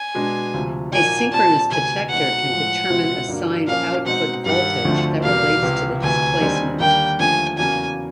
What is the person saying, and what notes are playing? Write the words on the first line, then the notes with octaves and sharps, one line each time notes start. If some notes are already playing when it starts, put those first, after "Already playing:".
A synchronous detector can determine a signed output voltage that relates to the displacement.
Already playing: G#5
B2 G#3 B3 D4
D2 C3 F3
A#2 F3 A#3 D#4 F#4 G#5
A#2 G3 C4 A5
D2 C3 E3 G#5
B2 F#3 A3 C4 D#4 F#5
A2 F3 G#3
C#2 B2 G#3 C4 E4
G2 D3 F#3 A#3
A#2 F3 A#3 C#4 F5
B2 G#3 C4 D#4 F#5
G2 D#3 G3 F#5
D2 D3 F3 A3 C4
E2 B2 G3 A#3 F5
C#2 C3 E3
D2 C3 E3 G#5
D#2 D3 G3 C4 D#4
D#2 D3 G3 A#3 G5
D#2 D3 F3 A3 G#5
E2 C#3 F#3 A#3 G#5